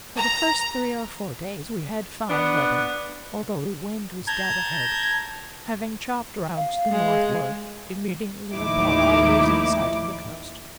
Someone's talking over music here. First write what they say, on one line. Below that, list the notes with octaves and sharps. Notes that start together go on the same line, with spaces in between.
For the first three or four days we had fine weather, although the wind was dead ahead; having chopped round to the northward, immediately upon our losing sight of the coast.
A#5
B3 D4
A5 A#5 G6 G#6
F5
G#3
D#2 A2 F3 D#4 E4 D6